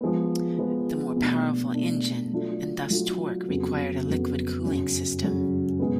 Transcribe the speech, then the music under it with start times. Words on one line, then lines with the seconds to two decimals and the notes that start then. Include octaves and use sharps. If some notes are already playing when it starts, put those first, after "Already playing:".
The more powerful engine and thus torque required a liquid cooling system.
0.01 F3 G#3 B3
0.58 F3 G#3 B3
1.16 B2 A3 D4
1.74 B2 A3 D4
2.33 F#3 A3 D4 F4 A4
2.90 F#3 A3 D4 F4 A4
3.48 F2 C#3 F#3 B3
4.07 F2 C#3 F#3 B3
4.64 F#2 C#3 F#3 C#4
5.23 F#2 C#3 F#3 C#4
5.79 B2 G#3 B3